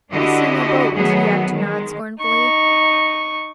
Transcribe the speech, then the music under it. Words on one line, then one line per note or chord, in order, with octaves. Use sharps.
"I see no boat," yapped Nod scornfully.
D3 D4 E4 F#4 G4 D#5
D#3 F#3 A3 B3 F#4 G#4
D#3 G#3
D#4 C#6